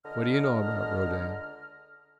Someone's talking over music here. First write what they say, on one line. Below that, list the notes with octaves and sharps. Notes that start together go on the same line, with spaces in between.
"What do you know about Rodin?"
C#2 D3 D#5 A#5 F6